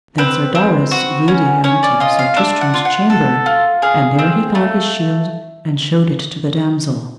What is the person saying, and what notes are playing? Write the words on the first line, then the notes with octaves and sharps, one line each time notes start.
Then Sir Darras yede unto Sir Tristram's chamber, and there he found his shield and showed it to the damosel.
C4 B4
C4
F#4
C#4
C#4 C#5
D5
F4 D#5
F5
D4 E5
F#5
F4
F#5
A4
F4
G#4 F5
C4
A3